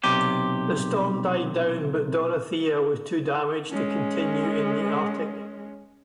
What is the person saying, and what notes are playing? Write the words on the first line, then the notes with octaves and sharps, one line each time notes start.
The storm died down but "Dorothea" was too damaged to continue in the Arctic.
B1 C3 G4
G#3 C#4